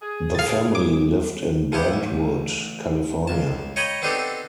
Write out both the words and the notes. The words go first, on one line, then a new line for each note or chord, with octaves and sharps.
The family lived in Brentwood, California.
G#4
A2 C#3 F5 A6
G3 B3 G4 D6
F3 B3 E4 G4
A1
C#2 A5
C#5 D#5 G5 A#5 B5 D#6
B3 C4 D4 D#4 G4 A4